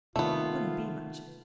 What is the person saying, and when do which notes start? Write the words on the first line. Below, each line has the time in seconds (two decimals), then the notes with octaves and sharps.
It wouldn't be much.
0.16 C3 D#3 A3 B3 F4